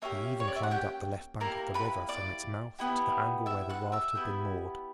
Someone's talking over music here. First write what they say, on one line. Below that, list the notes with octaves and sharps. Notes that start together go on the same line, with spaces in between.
He even climbed up the left bank of the river from its mouth to the angle where the raft had been moored.
A#3 C#4 G4 E5
C#5
D5
E5
F#5
G4 G5
A#3 E4 G4 A#4 A#5
B4 B5
D5 D6
B3 E4 G4
E5 E6
F#5 F#6
E5 E6
B3 E4 G4